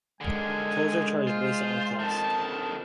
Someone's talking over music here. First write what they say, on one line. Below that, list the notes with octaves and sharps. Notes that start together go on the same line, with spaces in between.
Tolls are charged based on class.
D3 D#3 G#3 G#5
F4 C5
F2 D#3 A5